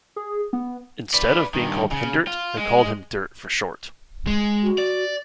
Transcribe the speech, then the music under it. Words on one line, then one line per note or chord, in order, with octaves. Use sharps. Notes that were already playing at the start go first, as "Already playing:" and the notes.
Instead of being called Hindert, they called him Dirt for short.
G#4
B3
B4 D5
G2 D#3
C#3
F4
G#3
G#3
F#4
D5